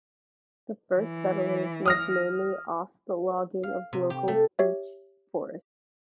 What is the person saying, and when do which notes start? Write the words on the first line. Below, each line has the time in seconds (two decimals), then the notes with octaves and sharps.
The first settlers lived mainly off the logging of local beech forests.
0.98 E3
1.86 D#6 F6 A#6
3.63 F5
3.93 C3
4.10 G4
4.28 A3
4.59 G4 C#5 E5